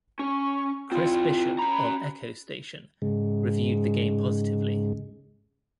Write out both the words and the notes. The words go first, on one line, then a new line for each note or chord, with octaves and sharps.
Chris Bishop of "Echo Station" reviewed the game positively.
C#4 C#6
C4 E4 F4
C#4 A#5 B5
G#2 C#3 G#3